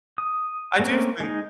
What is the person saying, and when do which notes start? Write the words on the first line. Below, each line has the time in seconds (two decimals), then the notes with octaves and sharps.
I do think
0.18 D#6
0.80 A3 A#3 C4 C#4
1.20 G#3 D#4